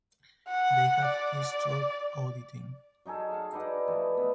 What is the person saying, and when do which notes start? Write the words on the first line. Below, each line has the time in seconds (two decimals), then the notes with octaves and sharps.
They have keystroke auditing.
0.49 F#5
1.05 D5
3.06 F#3 D#4 G#4 A4
3.32 F5 F#5
3.53 D#4 B4 D5 F#5
3.88 E3 F3 A3
4.14 B3 D#5